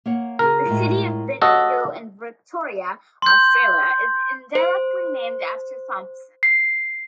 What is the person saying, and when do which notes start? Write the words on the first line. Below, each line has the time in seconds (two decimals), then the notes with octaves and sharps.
The city of Bendigo in Victoria, Australia is indirectly named after Thompson.
0.06 A#3 C#5 F#5
0.39 C#3 F#4 G#4 A#4
0.66 A2 G#3 F4
1.42 F#4 G4 A4 C#5 D#5 F5
3.22 C6 G6
4.55 C5
6.43 C7